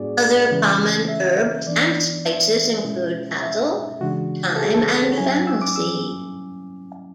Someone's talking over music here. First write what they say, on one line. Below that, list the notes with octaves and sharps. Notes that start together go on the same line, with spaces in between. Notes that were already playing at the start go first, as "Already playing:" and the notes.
Other common herbs and spices include basil, thyme and fennel seed.
Already playing: A2 G#3 B3 D4 F#4 G#4 D5
C#3 E3 G#3 C#4 E4
E5
E3 B3 D4 D5
E5
B2 G#3 C#4 E4
E5
C#3 E3 G#3 D4 F#4
A4
G#4
A4
B4
C#5
F#3 C#4 E4 G#5
F#6
E6
D6
E6